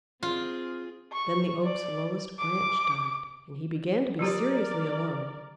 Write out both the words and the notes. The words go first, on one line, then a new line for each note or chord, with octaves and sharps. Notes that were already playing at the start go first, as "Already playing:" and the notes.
Then the Oak's lowest branch died, and he began to be seriously alarmed.
C4 F4 G#4
C#6
D5
D6
F#3 F4 G4 A#4 D5